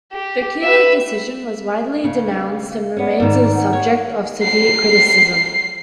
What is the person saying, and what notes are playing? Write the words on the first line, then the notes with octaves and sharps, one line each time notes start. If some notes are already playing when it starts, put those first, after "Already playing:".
The "Kelo" decision was widely denounced and remains the subject of severe criticism.
G4
B4 E5
C#3 F5
B3 C#4 D5
G#2 D#3
F#5
C#5
C7